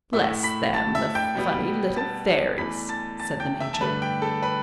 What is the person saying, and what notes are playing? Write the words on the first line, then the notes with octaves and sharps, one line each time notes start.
"Bless them, the funny little fairies," said the Major.
A2 A3 E5 E6
B5 B6
A5 A6
E5 E6
G5 G6
B2 G3 B3
A5 A6
E2 E3 A3 B5 B6
A5 A6
A5 A6
G5 G6
E5 E6
A5
G2 D3 A3 B4 B5
G5
A4 A5
B4 B5